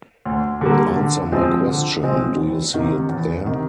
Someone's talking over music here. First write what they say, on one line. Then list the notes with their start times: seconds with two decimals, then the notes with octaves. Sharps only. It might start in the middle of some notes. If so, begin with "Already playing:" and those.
Answer my question. Do you see it there?
0.26 D2
0.61 D3 G3 A#3
0.96 D3
1.32 F3 G#3 C4
1.67 D3
2.04 F3 G#3 C4
2.38 E2
2.74 C3 D#3
3.09 E2
3.45 C3 D#3